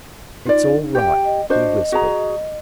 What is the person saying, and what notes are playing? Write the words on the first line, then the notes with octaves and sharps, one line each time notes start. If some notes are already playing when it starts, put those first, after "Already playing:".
"It's all right," he whispered.
D#4 F4 D5
G4 G5
D#5
D4 F#4 C5 D#5
F#4 G#4 A#5